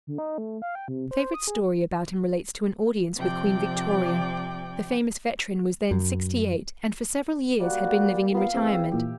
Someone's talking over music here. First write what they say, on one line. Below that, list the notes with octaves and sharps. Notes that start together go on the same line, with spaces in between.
A favorite story about him relates to an audience with Queen Victoria. The famous veteran was then sixty-eight and for several years had been living in retirement.
D3
D#4
A3
F5
G5
C3
C5
D#6
G#4
C3 F3 D5 G5 D6
F#2
G3 A#3 F#4
B3 F4 A#4 F5
E2 C4 E5 G5
A#2 E3 G4